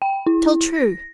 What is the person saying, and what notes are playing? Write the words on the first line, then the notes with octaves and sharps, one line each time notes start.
Tell true.'
G5
E4
A#6